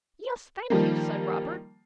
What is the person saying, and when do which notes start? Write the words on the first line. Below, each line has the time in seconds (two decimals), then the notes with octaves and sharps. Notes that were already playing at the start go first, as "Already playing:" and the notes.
'Yes, thank you,' said Robert.
0.70 D#3 F3 G3 A#3